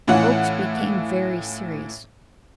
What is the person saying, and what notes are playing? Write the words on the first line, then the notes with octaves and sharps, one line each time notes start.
Oakes became very serious.
A2 E3 C#4 F4 F#5